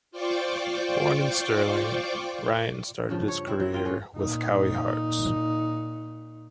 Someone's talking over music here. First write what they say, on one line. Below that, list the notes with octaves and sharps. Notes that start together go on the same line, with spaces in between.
Born in Stirling, Ryan started his career with Cowie Hearts.
F4 C5 D5 G5 C#6 D6
G2 C#3 F3
C#5
C4 E4
F#3 E4
A#3 F4 G5
C#4 G#4
A#2 D#4